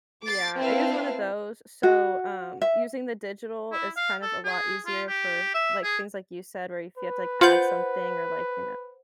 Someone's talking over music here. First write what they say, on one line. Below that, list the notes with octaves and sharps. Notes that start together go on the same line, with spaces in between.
Yeah, I use one of those, so, um, using the digital is kind of a lot easier for, like, things like you said, where if you have to, like, add something or, like, you know,
D6 A6 C7
C4 E4 B4 F5 A5
F#4
E5
E4
F5
A4
G#4
F4
G4
E5
G#4
B4
F4 C5 F#5 G6 F#7